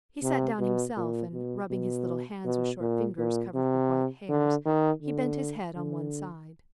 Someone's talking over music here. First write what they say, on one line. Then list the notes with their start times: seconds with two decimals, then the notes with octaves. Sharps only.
He sat down himself, and, rubbing his little hands with short fingers covered with white hairs, he bent his head on one side.
0.23 C3
0.59 B2
0.97 A#2
1.33 B2
1.70 B2
2.44 B2
2.81 A#2
3.18 A#2
3.55 C3
4.29 D3
4.65 D#3
5.03 D3
5.76 D3